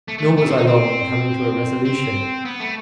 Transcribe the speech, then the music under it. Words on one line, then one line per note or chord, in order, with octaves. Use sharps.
Nor was I long in coming to a resolution.
A3
A3
A3
C4
D#4
C4
C4
B3
A3